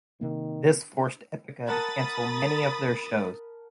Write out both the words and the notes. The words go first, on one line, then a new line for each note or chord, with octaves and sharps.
This forced Epica to cancel many of their shows.
C3 D#3 A#3
A#4 F#5 A5 B5 D#6 A6